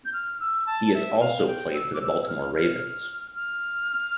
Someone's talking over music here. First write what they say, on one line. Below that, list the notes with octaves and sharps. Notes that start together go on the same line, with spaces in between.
He has also played for the Baltimore Ravens.
G6
F6
E6
A5
E5
F5
G5
E6
D6
E6
E6
F6
F6
F6